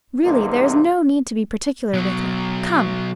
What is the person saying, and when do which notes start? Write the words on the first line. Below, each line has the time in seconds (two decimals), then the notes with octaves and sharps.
"Really, there is no need to be particular with her; come."
0.24 E2 G2 C3 A#3 D#4
1.94 B2 F#3